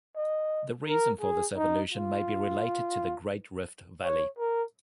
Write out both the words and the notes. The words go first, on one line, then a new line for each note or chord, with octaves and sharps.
The reason for this evolution may be related to the Great Rift Valley.
D#5
A#4
G#4
D#4
F4
C#5
A#4